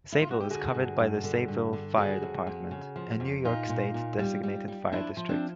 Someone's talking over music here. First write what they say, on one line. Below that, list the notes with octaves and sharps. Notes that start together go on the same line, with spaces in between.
Sayville is covered by the Sayville Fire Department, a New York State-designated fire district.
E4
F4
F#4
G4
D3 F#4 G#4
G2
G2
D3
G2
D3
C#3 F#4 G#4
F2
F2
C#3
F3
F2
A#2 D#4 F4
A#2
A#2
G3
G3
G3
F3 D4 E4
F3
C4 D4